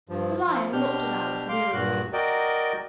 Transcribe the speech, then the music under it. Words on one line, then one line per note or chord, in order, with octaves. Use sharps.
The Lion looked at Alice wearily.
G2 F3
F3
B2 D4 G4 F6 G6
F5 C6 D6 F6
G2 A#2 F#4 F#6
F#4 A#4 D5 D#5 G5